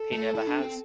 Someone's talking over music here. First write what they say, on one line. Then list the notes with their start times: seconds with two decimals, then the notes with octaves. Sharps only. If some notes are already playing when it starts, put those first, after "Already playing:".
He never has.
Already playing: A4
0.12 A3
0.35 E4
0.47 D4
0.60 C4